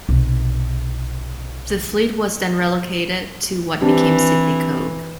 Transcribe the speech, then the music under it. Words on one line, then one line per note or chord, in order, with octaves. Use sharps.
The fleet was then relocated to what became Sydney Cove.
B1 C3
E3 C4 D4 G4